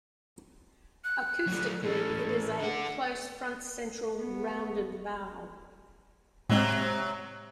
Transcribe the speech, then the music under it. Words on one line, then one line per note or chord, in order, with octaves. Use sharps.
Acoustically it is a "close front-central rounded vowel".
F#6
F#3 A3
A2 C#4 A4
D3 F#5
B3
A2 C3 F#3 G#3 C4